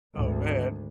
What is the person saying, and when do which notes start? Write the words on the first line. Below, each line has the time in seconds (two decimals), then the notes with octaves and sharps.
Oh, man.
0.14 G#1 D2